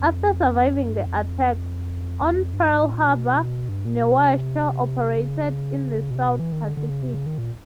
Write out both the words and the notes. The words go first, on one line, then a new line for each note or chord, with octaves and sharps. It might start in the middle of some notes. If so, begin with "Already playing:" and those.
After surviving the Attack on Pearl Harbor, "Neosho" operated in the South Pacific.
Already playing: F2
F#2
G2
F2
E2
F2
G2
G#2
A2
A#2
B2
G2
A#2
B2
C3
C#3
B2
C3
B2
E3
D#3
D3
D3
C#3
C3
C#3
D#3
A#2